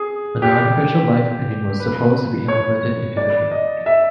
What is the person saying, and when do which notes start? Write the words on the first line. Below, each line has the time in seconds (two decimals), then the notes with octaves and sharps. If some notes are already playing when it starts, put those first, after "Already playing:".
An artificial life engine was supposed to be implemented into the game.
Already playing: G#4
0.42 G4
1.80 B4
2.48 C#5
3.17 D5
3.51 D#5
3.86 E5